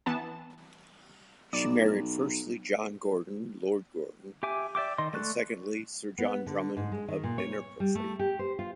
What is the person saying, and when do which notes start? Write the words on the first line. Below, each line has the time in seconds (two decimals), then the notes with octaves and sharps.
She married firstly John Gordon, Lord Gordon, and secondly Sir John Drummond of Innerpeffry.
0.06 E3 B3 A5
1.53 B1 D5 E7
4.43 G4 E5 G#5 D6
4.75 D5 E5 G5 D6
4.98 D#3 D#5 C6
5.13 A3 D5 C#6 F#6
6.18 B3
6.46 D3
6.77 G#2
6.92 G#3
7.08 D#3
7.23 A#2
7.38 C#5
7.80 G3
7.95 A3
8.19 G4
8.39 C5
8.59 F4